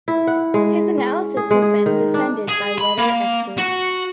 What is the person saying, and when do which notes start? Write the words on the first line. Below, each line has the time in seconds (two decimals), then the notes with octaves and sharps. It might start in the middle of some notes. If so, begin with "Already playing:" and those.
His analysis has been defended by weather experts.
0.08 E4
0.27 F#5
0.54 G#3
0.98 C#4
1.37 G#4
1.51 G#3
1.62 G#4
1.86 D#3
2.14 D4
2.48 G#4
2.78 B5
2.98 A#3
3.58 F#4